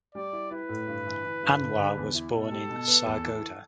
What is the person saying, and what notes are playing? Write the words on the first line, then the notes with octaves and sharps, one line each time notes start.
Anwar was born in Sargodha.
G3 D5
E4
E4 B4
A2
G2
E3
E3
G2
D3
D3
E2
E4
B2 A4
G3
B2
B3
E2
E3